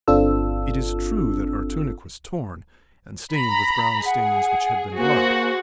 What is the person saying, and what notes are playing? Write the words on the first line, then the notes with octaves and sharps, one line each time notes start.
It is true that our tunic was torn and stained with brown stains which had been blood.
G1 C4 D4 F4 A4 E6
A#5 B5
G#4 F#5
A#3 F#4 G#4 C5